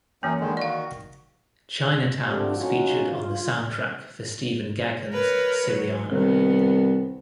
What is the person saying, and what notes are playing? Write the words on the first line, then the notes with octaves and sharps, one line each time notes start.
"Chinatown" was featured on the soundtrack for Stephen Gaghan's "Syriana".
F#2 E3 F#3 A#3 C#4
D3 D#3 G#3
D#3 F#4 D5 F5
D3 F3 A3 C4 G4
C#4 D#4 F4 F#4
F4
A#4 B4 C#5
F#3
C2 D#3 B3